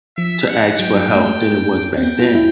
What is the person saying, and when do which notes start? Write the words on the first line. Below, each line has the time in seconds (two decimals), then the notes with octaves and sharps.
to ask for help than it was back then?
0.17 F3 E5
0.48 F#5
0.79 F#3 G5
0.95 F#3
1.14 A3
1.26 G#3
1.42 A#3
1.97 C4
2.03 B3 G5
2.19 F4
2.35 E4